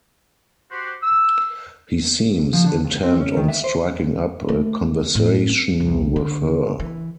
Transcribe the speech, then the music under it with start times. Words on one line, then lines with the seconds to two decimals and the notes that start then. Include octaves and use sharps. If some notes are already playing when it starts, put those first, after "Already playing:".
He seems intent on striking up a conversation with her.
0.71 F#4 G4 C5
1.02 E6
2.53 F3
2.66 D3
2.84 C#2
3.03 C4
3.20 C#4
3.37 D#3
3.48 E5
3.64 C5
4.48 A3
5.15 A2
5.49 C4
5.80 C2
6.16 D3
6.80 E3